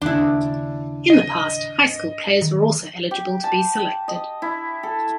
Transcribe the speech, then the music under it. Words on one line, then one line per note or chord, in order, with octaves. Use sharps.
In the past, high school players were also eligible to be selected.
D#2 C#3 D4 E4
D#5 D#7
D#3
G4
A5
D#5
E4
A4